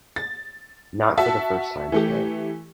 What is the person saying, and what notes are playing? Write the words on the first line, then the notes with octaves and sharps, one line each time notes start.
Not for the first time today.
A6
F#4 E5 A5
E3 A3 G4